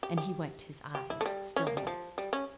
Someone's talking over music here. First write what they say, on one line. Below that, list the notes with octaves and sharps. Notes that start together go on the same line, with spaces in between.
And he wiped his eyes, still moist.
G4
G4
G4
E4
A3
G3
C#4
A#3
G3
F3
G3
C#4